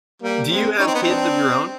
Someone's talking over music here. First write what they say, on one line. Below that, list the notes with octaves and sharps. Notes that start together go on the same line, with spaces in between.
Do you have kids of your own?
G3 A#3
G#3 C4
C#4 D#4
C4
B3
C4
D4